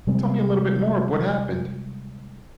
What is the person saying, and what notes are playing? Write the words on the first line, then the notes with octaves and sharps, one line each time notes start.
tell me a little bit more of what happened.
C3 G3 G#3 C4